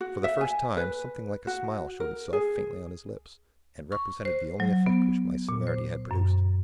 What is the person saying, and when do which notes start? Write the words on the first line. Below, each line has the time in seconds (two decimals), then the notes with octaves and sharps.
For the first time, something like a smile showed itself faintly on his lips--and represented the only effect which my severity had produced.
0.01 F#4
0.24 E5
0.41 G#5
0.77 B4
1.47 F#4
2.00 A#4
2.33 G#4
3.92 C#6
4.25 C5
4.60 F#3
4.86 B3
5.49 A#2
5.67 C5
6.11 F#2